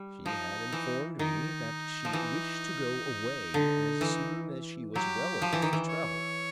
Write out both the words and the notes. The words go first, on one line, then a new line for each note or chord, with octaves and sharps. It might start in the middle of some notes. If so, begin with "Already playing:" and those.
She had informed me that she wished to go away as soon as she was well enough to travel.
Already playing: G3
F3 D#4
E3
D#3 D#4
F3
E3
D3
E3
F#3 G4
F3
E3
D#3
E3
C#5